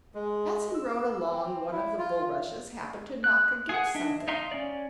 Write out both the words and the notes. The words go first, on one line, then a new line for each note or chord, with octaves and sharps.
As he rode along one of the bulrushes happened to knock against something.
G#3
E6
C4
E4
F4
F#6
G#4 F#5
D4 D#5 E5
D#4 E5 F5 A#5 C6
C#4 D5